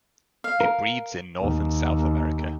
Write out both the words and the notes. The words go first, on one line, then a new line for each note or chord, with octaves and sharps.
It breeds in North and South America.
F5
A#4
D#2